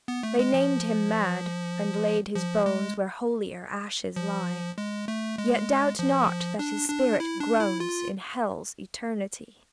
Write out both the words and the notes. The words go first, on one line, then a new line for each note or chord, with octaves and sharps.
They named him mad, and laid his bones Where holier ashes lie; Yet doubt not that his spirit groans In hell's eternity.
B3
A3
G#3
F3
F3
G#3
F3
G#3
A3
G#3
F3
D4
D4
E4
D4
E4
F4